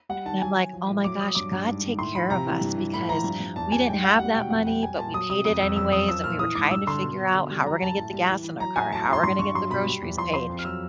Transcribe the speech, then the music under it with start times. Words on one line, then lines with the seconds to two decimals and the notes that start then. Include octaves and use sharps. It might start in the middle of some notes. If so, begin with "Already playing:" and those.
and I'm like, "Oh my gosh." God take care of us because we didn't have that money, but we paid it anyways, and we were trying to figure out how we're gonna get the gas in our car, how we're gonna get the groceries paid.
0.09 G3 F#5
0.26 D#3 A5
0.41 F#3 G#5
0.56 F#3
0.73 F3
0.88 A2
1.04 F#3 D6
1.20 F#3 D#6
1.35 G2 D6
1.52 G2
1.67 G#2
1.83 D#3
1.98 A2 C6
2.15 F3 B5
2.30 C3 A#5
2.47 E3
2.61 G2
2.78 E3
2.94 A2 B5
3.09 F3 A#5
3.24 G2
3.40 G2
3.56 E2 A5
3.72 G3 G#5
3.88 G#2 G5
4.03 G#2 F#5
4.19 G3 F#5
4.35 B2 G5
4.50 F2 F#5
4.67 G3 G5
4.83 G3 G#5
4.98 A#2 A5
5.14 F#3 D#6
5.29 C3 D#6
5.45 F2 D#6
5.61 F2 E6
5.76 F#2 E6
5.92 F#2 D#6
6.08 F3 E6
6.24 A#2 F6
6.39 E3 D#6
6.55 G#2 D6
6.71 G2 E6
6.87 D3 C6
7.03 B2
7.19 B2
7.34 D3
7.50 G3
7.65 F#3 A#5
7.82 F#2 A5
7.98 A2
8.13 G3
8.29 E3
8.44 E3
8.60 F#3 A#5
8.76 A2 G#5
8.92 F#3 A5
9.02 A#5
9.08 A2 C6
9.23 G2 C6
9.39 G2 C#6
9.55 F#3 C6
9.70 B2 B5
9.86 G3
10.02 E2
10.17 F3 C6
10.34 F3 C6
10.49 F2
10.59 F6
10.65 F#3 E6